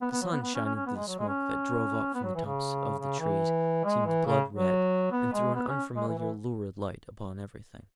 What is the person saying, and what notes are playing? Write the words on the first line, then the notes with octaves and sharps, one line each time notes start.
The sun, shining through the smoke that drove up from the tops of the trees, seemed blood red, and threw an unfamiliar lurid light upon everything.
B3
B3
F#3
B3
B3
C#4
C#4
C#4
B3
G#3
F#3
G#3
C#4
B3
F#3
E3
C#3
C#3
E3
G#3
E3
C#3
F#3
B3
G#3
B3
C#4
G#3
E3
E3